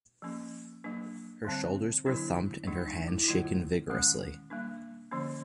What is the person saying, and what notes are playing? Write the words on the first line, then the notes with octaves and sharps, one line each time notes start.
Her shoulders were thumped and her hands shaken vigorously.
F3 A#3 C#4
F#3 A#3 D4
D3 G3 C4
D3 F#3 B3 D4 E4
F#3 A3 D4 D#4
D#4
E4
E4
D3 F#3 A3 F4
D#3 G#3 C#4
G3 A#3 D4
D3 F3 A#3 C#4